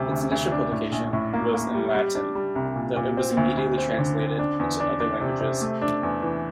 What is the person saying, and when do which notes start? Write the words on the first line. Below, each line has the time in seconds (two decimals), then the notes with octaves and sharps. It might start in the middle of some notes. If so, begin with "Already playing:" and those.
Its initial publication was in Latin, though it was immediately translated into other languages.
Already playing: D2 C3 G3
0.11 D2
0.31 D2
0.52 D4
0.71 A2
0.92 A#1
1.13 A2
1.34 A#3
1.54 A#3
1.74 G3
1.95 G3
2.15 D4
2.35 G3
2.56 C2
2.76 A#2
2.96 A#2
3.17 C4
3.37 D2
3.57 D2
3.78 C4
3.98 D3
4.18 C4
4.39 D4
4.59 E2
4.80 D4
5.00 D4
5.21 C3
5.41 C3
5.62 A3
5.82 D4
6.03 E2
6.22 E3